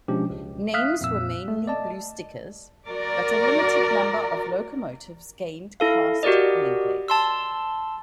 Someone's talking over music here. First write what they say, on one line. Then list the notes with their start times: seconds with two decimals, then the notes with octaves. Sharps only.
Names were mainly blue stickers, but a limited number of locomotives gained cast nameplates.
0.08 B2 F3 G#3 C#4 D4 G4
0.30 C#2
0.74 E5 F5 D#6 F6 F#6 B6
1.01 F2 A#2 E6
1.48 A3
1.67 D5 D#5 A5
2.89 F#4 A#4 D5
5.80 E4 A4 F5
6.23 F#4 G4 A#4 D5 D#5
7.08 A5 C6 E6